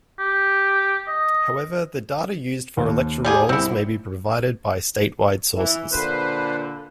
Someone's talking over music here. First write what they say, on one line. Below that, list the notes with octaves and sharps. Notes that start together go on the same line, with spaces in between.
However, the data used for electoral rolls may be provided by statewide sources.
G4
D#5
D#2
G3 G4 G#4
C2 C4 E4 C#7
E3
A#2 D3 B4 C5